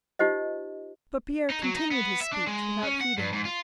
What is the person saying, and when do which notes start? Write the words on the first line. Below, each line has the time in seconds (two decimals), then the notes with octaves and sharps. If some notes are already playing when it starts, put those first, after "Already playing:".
But Pierre continued his speech without heeding her.
0.19 D#4 F4 G4 C5 D#5
1.50 D#4
1.63 F#3
1.76 D#4
1.91 B3
2.21 E5
2.33 D4
2.47 G#3
2.83 C#4
3.01 F#5
3.18 G2
3.33 G#2
3.45 F4